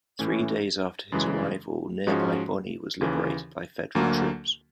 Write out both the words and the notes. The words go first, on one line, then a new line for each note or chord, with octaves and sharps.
Three days after his arrival, nearby Bonny was liberated by federal troops.
A2 E3 A3 C#4
F#2 C#3 E3 G#3
G#2 F3 G#3 C#4 F#4
D#2 C#3 E3
D2 D3 F#3 A#3